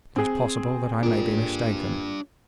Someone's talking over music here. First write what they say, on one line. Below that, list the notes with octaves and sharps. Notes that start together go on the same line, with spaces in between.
It is possible that I may be mistaken.
C4 G#4
G#1 A#3 D4 F4 G4 A#4